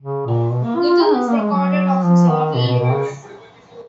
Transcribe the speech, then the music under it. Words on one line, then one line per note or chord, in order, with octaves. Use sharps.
Little is recorded of his early years.
C#3
A#2
B2
A#3
F4
F4
D#4
B3
A#3
G#3
F#3
F3
D#3
B2
B2
B2
C#3